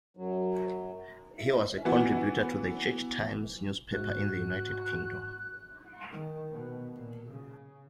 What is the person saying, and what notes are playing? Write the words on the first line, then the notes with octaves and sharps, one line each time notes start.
He was a contributor to the 'Church Times' newspaper in the United Kingdom.
F#2 F#3
E3 B3 F#4
G#2 F#4 F#6
D#3
B2
A#2
C#3